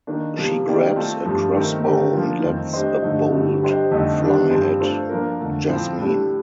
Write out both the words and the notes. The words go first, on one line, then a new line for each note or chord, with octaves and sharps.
She grabs a crossbow and lets a bolt fly at Jasmine.
D#3 A#3 D4
C3 F3 A#3
D#3 A#3 D#4 G4 D5
A3 C4 F4 A4
G2 F3 A3
D#3 A3 C4 D#4 A#4
D3 A3 C4 G4 A#4
F3 A#3 D4 F4
F2 D#3 A3 C4
A3 D4 G4 C5 D#5
G2 D3 F3 A3 D#4
G2 D3 A3 C4
G3 D4 G4 C5 D#5
F2 D3 A3 C4 D#4
D#3 G3 D4
G2 F3 C4
A3 D4 F4 A4 C5
F3 A#3 D4 F4 A#4
F2 D3 A3
A2 F3 A3 C4 F4
A2 G3 D4 A4